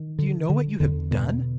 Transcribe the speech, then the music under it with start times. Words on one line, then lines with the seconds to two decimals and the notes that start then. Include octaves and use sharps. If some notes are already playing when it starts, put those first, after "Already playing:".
Do you know what you have done?
Already playing: D#3
0.18 D3
0.49 D3
0.80 E2 D3
1.11 B2